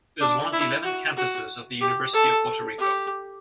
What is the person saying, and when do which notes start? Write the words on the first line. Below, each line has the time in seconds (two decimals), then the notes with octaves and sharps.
It is one of the eleven campuses of the University of Puerto Rico.
0.20 D4
0.52 E4
0.84 F#4
1.17 F#4
1.81 G4
2.14 A4
2.79 G4